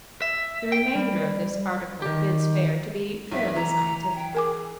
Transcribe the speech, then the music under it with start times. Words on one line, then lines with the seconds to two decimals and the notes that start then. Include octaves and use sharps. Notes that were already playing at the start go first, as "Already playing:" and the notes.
The remainder of this article bids fair to be fairly scientific.
0.22 E5
0.72 G5
0.95 G3
2.02 D#3 G4
3.32 B1 E5 B6
3.55 E3 A#5
4.16 G5
4.35 G#4 A#4 G#5 D6